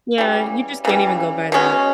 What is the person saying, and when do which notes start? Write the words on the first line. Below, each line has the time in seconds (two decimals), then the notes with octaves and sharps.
Yeah, you just can't even go by that.
0.18 C#3 E3 G3
0.85 C#3 E3 G3
1.52 B2 G#3 C#4